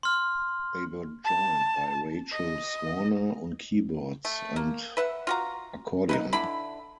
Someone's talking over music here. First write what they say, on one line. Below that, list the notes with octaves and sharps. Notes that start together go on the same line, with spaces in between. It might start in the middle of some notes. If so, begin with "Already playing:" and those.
They were joined by Rachel Swaner on keyboards and accordion.
C6 F6
A5
D#5
A3
A#3
B4 E5 F#5
F4 F#4 A#5
D#4 E4 B4
D3 D4 E4 B5